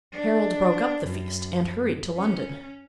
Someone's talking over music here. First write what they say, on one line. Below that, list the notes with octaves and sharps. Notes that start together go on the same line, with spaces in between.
Harold broke up the feast and hurried to London.
D4
F#2
C#4